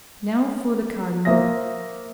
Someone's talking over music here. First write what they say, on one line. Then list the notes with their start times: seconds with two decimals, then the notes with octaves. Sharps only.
Now for the Cardinal.
1.25 A#3 C5 E5 D#6 A#6